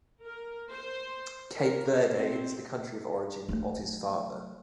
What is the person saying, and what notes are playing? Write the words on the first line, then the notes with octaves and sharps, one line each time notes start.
Cape Verde is the country of origin of his father.
A#4
C5
A#4
C4
F#3 A3